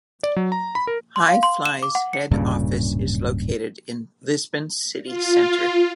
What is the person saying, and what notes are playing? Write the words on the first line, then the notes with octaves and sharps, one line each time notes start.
Hi Fly's head office is located in Lisbon's city centre.
D5
F#3
A#5
B5
A#4
C6
F5
C6
E7
D6
F#5
C#7
D1 G2 A#2 C#3
F4